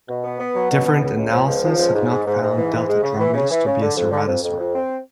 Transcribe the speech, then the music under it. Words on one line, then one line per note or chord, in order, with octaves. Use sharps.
Different analyses have not found "Deltadromeus" to be a ceratosaur.
B2
B3
B3
F#3
B2
B3
C#2
C#2
F3
C#2
F3
C#2
G#2
G#2
G#2
G#2
E3
G#2
G#3
C#3
E3
C#3
E3
C#3
D3
F2
D3
F2
F2
F2
C4